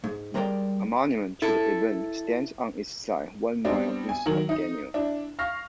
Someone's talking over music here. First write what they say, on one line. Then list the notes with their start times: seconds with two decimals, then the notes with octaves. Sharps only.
A monument to the event stands on its site one mile east of Daniel.
0.04 G#2
0.34 G3 G#3 A#4 C5 D5 G5
1.42 E4 A4
3.65 G3 B3 C4 D4
4.09 G#5
4.26 D#3 F#3 A#4 F#7
4.49 D#4 D#5
4.94 D4 E4
5.39 F5 C#6 F6 A#6